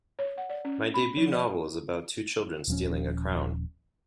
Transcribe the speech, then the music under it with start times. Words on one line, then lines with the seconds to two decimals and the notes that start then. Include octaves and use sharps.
My debut novel is about two children stealing a crown.
0.19 C#5
0.38 F#5
0.49 D5
0.65 C#4
0.94 B5
1.17 F3
1.32 D5
2.68 D#1 F3 C#4